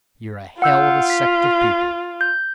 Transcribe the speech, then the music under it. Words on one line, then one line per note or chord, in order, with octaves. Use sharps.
You're a hell of a sect of people.
F4 F#5 E6 G6
B6
G6